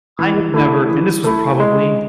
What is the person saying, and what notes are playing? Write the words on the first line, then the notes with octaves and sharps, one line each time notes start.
I have never, and this was probably
E3
A3 E4
E3
A3 E4
G#3